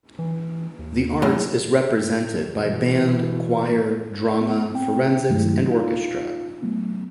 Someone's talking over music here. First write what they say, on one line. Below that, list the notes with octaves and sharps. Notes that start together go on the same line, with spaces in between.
The arts is represented by Band, Choir, Drama, Forensics and Orchestra.
E3
D#2
F#2 A2
B2 E3
B3
C4 G5
G2 D#3 F#3 G#3 A3 E4
D#4 F4 F5
F#3 A3 B3